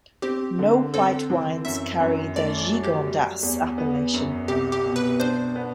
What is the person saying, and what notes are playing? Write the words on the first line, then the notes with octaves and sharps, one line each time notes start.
No white wines carry the Gigondas appellation.
C4 G4
D3
C4 A4
E3
F#2 E5
F#2
A3 D5
D5
F#3
G4
G3
E2
B3
F#2
C2 G4
G4
B2
B4
D4 C5
B3